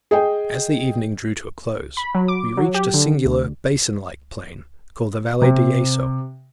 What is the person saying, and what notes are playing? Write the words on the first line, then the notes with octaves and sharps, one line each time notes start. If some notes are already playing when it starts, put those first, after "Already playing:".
As the evening drew to a close, we reached a singular basin-like plain, called the Valle del Yeso.
G#4 D#5 G5
B5
F#3
D6
F#3
G4
D3
D2
C3